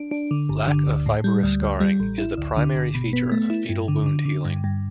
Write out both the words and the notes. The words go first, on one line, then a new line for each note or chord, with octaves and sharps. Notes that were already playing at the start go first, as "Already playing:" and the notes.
Lack of fibrous scarring is the primary feature of fetal wound healing.
Already playing: D4
D4
D3
G1
D3
D2
A2
G3
D2
D2
G3
A1
E4
D2
D3
G1
B2
B3
A3
E4
G2
D3
D3
D3
G2
G2